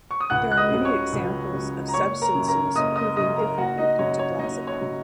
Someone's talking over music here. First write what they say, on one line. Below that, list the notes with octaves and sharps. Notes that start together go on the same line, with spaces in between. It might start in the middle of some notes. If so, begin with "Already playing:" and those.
There are many examples of substances proving difficult to classify.
C#6
D#6
C#2 F#5 F#6
F#6
D#5 D#6
C#3 F#3
C#5 C#6
C#2
C#3 F#3
A#5
F#1 C#5 C#6
A#4 A#5
F#2 C#3
A#4 A#5
F#1 D#5 D#6
D#5 D#6
F#2 C#3 D#5 D#6
A#4 A#5
F#1 F#4 F#5
D#4 D#5
F#2 C#3 F#3 C#5
C#5
F#1 D#4 D#5
C#5
C#3 F#3